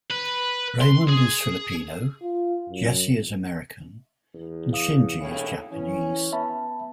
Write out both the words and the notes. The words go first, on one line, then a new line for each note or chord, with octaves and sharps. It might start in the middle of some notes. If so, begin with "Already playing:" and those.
Raimund is Filipino, Jesse is American, and Shinji is Japanese.
B4
C6
G#4
F4
F#2
E2
F5 D#6
E1 D#2 A2 C#3
E3 C#4
B3 E5 A5 B5